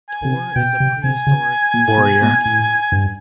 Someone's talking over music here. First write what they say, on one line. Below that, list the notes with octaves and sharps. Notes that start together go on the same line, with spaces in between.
Tor is a prehistoric warrior.
G#5
C3
B2 G5
C3
C3 G#5
C#3
A#2
B2
B2
A2
G2